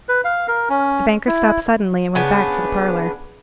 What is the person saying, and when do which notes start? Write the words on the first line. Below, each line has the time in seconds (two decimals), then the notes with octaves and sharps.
The banker stopped suddenly, and went back to the parlour.
0.09 B4
0.24 F5
0.48 A#4
0.69 C#4
1.27 E4
2.15 C#3 B3 D4